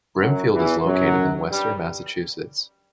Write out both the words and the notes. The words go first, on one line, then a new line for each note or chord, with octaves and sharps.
Brimfield is located in Western Massachusetts.
F#2 F#3
E2 E3
F#2 F#3
G2 G3